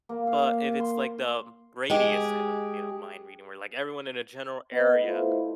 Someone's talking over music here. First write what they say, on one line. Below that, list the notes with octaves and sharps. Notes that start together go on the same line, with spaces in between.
but if it's, like, the radius type of, you know, mind reading where, like, everyone in a general area,
A#3
F5
C6
G#3 G4 G#4
B3 D#5
A3 E4 F4 C5